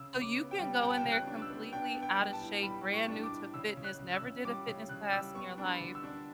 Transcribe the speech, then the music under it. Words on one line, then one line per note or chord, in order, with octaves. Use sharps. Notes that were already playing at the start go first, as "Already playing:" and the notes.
So, you can go in there completely outta shape, brand new to fitness, never did a fitness class in your life,
Already playing: C#3 E6
C#3
D6
B3
G5
G3
B3 G5
A5
G5
C#3
F#6
D4
E6
B3
D4 G5
B3
G5
G3
A5
A2
G3 B5
A2
C#6
D4
D6
A2
C#3 E6
C#3
F#6
C#3
E6
C#3
G3 D6
C#3
C#3 F#6
G3 E6
B3 C#6
D4
B5
D3
E6
D4